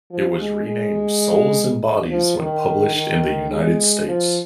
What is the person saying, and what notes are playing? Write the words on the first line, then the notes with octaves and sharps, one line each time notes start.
It was renamed Souls and Bodies when published in the United States.
F3
G#3
G#3
F3
D#3
D#3
G#3
F3